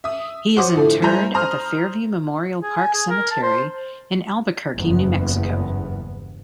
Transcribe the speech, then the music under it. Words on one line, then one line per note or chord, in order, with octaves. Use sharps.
He is interred at the Fairview Memorial Park Cemetery in Albuquerque, New Mexico.
E5 D#6
F#4 C5 C#5 F#5 D6 D#6
A2 D3 F3 A3
G3 E4 C5 G#5 A#5 G6
C5 A#5 D#6 F6
G#4
G#5
G#4
A#4
A5
C5
F#1 E2 G2 B3